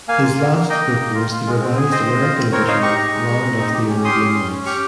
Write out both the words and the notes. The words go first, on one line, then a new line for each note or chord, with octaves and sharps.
His last book was the revised American edition of "Land of the Arabian Nights".
A#3 F5 G#5
F4
A#3
A#3
A#3 D#5 G5
A#3
A#3
F4
F4
G#3
C4
G#4
C4 C5 D#5
C4
F4
C4
C4 A#4 C#5
D#4 C#5 F5
G4 A#5 C#6
D#4
G#3
G#3
C4
D#4
G4
C#4
G4 C6 D#6
C#4
C#4
C#4
G4 C#6 F6